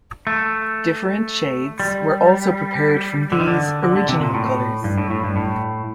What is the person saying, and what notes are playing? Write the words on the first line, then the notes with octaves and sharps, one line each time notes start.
Different shades were also prepared from these original colors.
A3
G3
D3
D#3
D3
D3
D3
C3
A#2
A2
G2
A2
A2
G2
A2